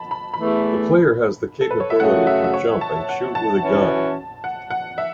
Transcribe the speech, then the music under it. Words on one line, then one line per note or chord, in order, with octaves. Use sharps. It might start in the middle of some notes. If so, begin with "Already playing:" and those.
The player has the capability to jump and shoot with a gun.
Already playing: A5 B5
B5
B5
E2 E3 A3
A4
B4
C#5
E5
F#2 C#3 A3 F#4 F#5
E5
E5
C#5
A5
F#5
A5
E3 C#4 F#4
F#5
F#5
E5